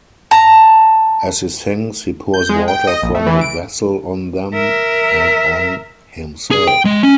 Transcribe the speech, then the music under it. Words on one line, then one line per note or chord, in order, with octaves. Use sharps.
As he sings he pours water from a vessel on them and on himself.
A5 A#5
G6
G#3
G5
D#5
A#1
A3
E3
D7
A#4 E5
G#4
G5
G#3
C#4